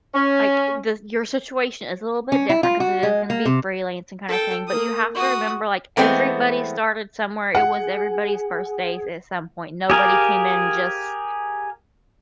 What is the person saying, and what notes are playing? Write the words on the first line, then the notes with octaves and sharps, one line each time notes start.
Like, the your situation is a little bit different 'cause it is gonna be freelancing kinda thing, but you have to remember, like, everybody started somewhere, it was everybody's first days at some point, nobody came in just
C#4
C#4
E4
F4
F#4
G#3
A#3
C3
A4 G5
A#3 D#6
F#4 D#6
E3 G#3 A3 B3 C4
G#4 F#5
G4 G#4 A#4 F5